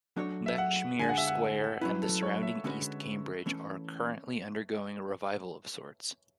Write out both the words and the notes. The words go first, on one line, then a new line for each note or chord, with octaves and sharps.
Lechmere Square and the surrounding East Cambridge are currently undergoing a revival of sorts.
F#3 A3 D4 F#4 C#5
E5
F#5
D3 G#3 D4 G#5
F#5
E5
F#5
F#3 C#4 E4 B4
A4
C#5
E5
D3 G#3 C#4 F#4 B4
E3 A3 C#4